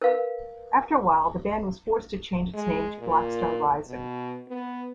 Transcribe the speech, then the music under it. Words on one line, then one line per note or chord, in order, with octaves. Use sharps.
After a while the band was forced to change its name to Blackstar Rising.
A#4 B4 F5
G#3
A#2
B2
B3